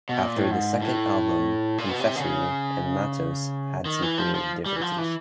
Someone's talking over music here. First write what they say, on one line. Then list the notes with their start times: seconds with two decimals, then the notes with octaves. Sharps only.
After the second album Confessori and Matos had some creative differences.
0.09 B2
0.23 A#2
0.37 A2
0.51 G#2
0.82 A2
1.78 A#2
1.89 B2
2.00 C3
2.15 D3
2.20 C#3
3.86 D#3
4.02 E3
4.18 F3
4.35 F3
4.66 G3
4.76 E3
4.81 F3
4.98 E3